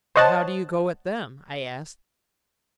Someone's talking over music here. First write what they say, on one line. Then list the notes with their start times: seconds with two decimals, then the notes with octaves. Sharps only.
"And how do you go at them?" I asked.
0.16 C5 C#5 D#5 F#5 A5